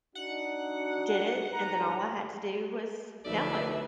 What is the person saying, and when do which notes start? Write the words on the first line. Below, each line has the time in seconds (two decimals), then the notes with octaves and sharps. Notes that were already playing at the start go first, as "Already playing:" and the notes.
did it, and then all I had to do was download it.
0.15 D4 D#4 F#4 F#5
1.53 G#2 B4 A#5
3.25 B1 D3 F3 A3 B4 D5 E5